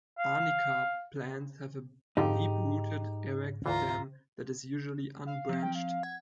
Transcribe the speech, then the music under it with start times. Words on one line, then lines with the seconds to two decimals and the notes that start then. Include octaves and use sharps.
"Arnica" plants have a deep-rooted, erect stem that is usually unbranched.
0.19 F5
2.17 F2 G#2 D3 D#4 F4 G4
3.66 D2 E3 F4 A#5
5.26 F5
5.49 F3 C4
5.63 G5
5.75 F5
6.03 F#5 G#6